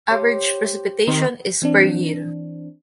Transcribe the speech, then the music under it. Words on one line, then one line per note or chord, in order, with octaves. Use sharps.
Average precipitation is per year.
G4 C5 C#5
D#3 C4 C5
E3 C4 D4